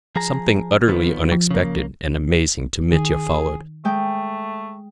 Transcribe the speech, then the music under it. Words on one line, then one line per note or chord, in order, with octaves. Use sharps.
Something utterly unexpected and amazing to Mitya followed.
F3 G#4 A#5
D#3 F3 B3
F3
C#3 A#3
D#3 G#4
G#3 A3 G5